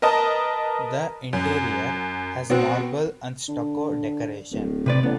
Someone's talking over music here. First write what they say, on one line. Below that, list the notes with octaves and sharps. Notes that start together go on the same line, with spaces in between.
The interior has marble and stucco decoration.
A#4 B4 D#5 A5 D#6
F#2
B2 B3 C4 F#4
D3
D1
C3 B4 D5
A1 B3